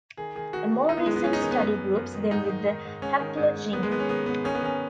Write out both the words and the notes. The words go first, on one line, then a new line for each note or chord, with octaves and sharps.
A more recent study groups them with the Haplogynae.
D#3 G#4
D#3 G#4
D#3 F#4
D#3
D#3 D#4
B3
F#2 G#3
B3
F#2 C#4
D#4
D#3 C#4
B3
F#2
F#2
F#2
D#3
G#2 D#4
D#3
D#3
G#2
G#2 C#4
D#3
G#2
G#2
D#3 B3
G#3
D#3 B3
C#4
D#3 B3
G#2 B3
D#3 C#4
B3
D#3 C#4